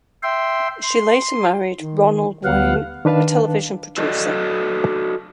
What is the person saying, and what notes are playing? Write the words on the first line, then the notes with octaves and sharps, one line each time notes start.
She later married Ronald Wayne, a television producer.
E5 G5 C6
C6
D#3
D2 G3 B3 F5 F#5
D#3 D4 B4 F5 A5
F#4 A4 D5 D#5